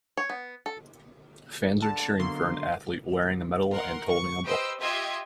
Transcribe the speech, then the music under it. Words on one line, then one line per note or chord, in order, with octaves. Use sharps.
Fans are cheering for an athlete wearing a medal and holding a ball.
C#5
B3
A4
D3 A5
B1 B2 D3 A#3 C6
A#4 F#5 C6
C#6
G4 B4 C5 D#5 E6 D7
F4 G4 D#5 E5 C6 G#6